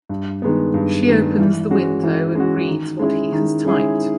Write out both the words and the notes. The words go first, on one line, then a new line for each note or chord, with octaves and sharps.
She opens the window and reads what he has typed.
G2
D#3 G#3 B3
G2
D#3 G#3 B3
E3
G#3 C#4 F#4
E3
G#3 C#4 F#4
D#3
G#3 C#4 E4 G#4
D#3
G#3 C#4 E4 G#4